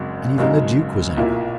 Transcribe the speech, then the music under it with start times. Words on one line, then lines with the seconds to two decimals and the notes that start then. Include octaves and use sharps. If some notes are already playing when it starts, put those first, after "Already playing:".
And even the Duke was angry.
Already playing: G#1 F#2 C#3 G#3
0.38 G#1 F#2 C#3 G#3 D#4
1.17 B1 A#2 A#3 E4